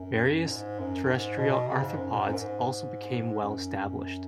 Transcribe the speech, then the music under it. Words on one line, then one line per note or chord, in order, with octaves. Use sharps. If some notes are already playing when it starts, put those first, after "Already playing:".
Various terrestrial arthropods also became well-established.
Already playing: F#2
A#2
G#2
F#2
F#2
G#2
B2
C#3
G#2
F#2
A#2
G#2
F#2
G#2
F#2